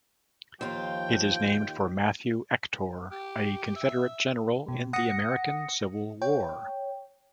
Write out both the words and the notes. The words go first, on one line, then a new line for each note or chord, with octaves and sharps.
It is named for Mathew Ector, a Confederate general in the American Civil War.
D#2 F3 F4 G5
G4
E5
B2
F#5 D#6 A#6 C#7
C#5 G5